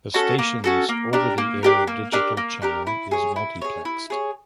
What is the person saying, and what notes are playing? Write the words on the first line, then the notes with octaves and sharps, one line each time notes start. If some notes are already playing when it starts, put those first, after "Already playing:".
The station's over-the-air digital channel is multiplexed.
C#4 F#4 A4
A#3
C#4 F#4 A4
A#3
D4 G4 A#4
A#3
D4 G4 A#4
A#3
D4 G4 A#4
A#3
D4 G4 A#4
E4
G#4 C#5
E4
G#4 C#5
E4
G#4 C#5